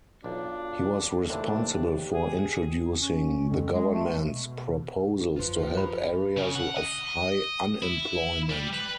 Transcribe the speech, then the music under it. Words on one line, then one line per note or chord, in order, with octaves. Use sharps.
He was responsible for introducing the government's proposals to help areas of high unemployment.
B1 D4 F4
D#2 C3 E3 A3 D4
G4
G#4
C#4
F2
G#3
A3
B2
G1 F2 F4 B4 C5
B5
C#3
F#5
D#5
E4
G3
B4